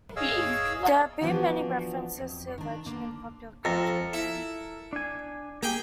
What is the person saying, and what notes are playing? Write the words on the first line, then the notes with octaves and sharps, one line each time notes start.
There have been many references to the legend in popular culture.
G#4 C#5 D#5 F5 E6
E3 F3 B3 D4 F4 F#4
F2
D#3 D4
D3 A#3 D4
F2 A4 A#4 A#5
E4
D4 G#5
A#3 G4 G#4 G5 G#5